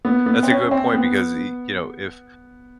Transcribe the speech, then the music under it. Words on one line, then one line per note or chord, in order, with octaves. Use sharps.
that's a good point because, e you know, if
B3
B3
C4
C#4
C#4
C4
B3